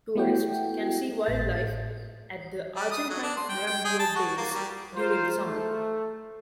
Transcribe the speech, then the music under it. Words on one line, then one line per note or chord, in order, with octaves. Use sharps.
Tourists can see wildlife at the Argentine Marambio Base during the summer.
A3 B3 E4 F#4 G4 G5
G#1 A2 A6
G3
D#6
F#3
D4
C6
G5
G5
G#4
A5
F#4
A#3
G3
F4 A#4 C5
A3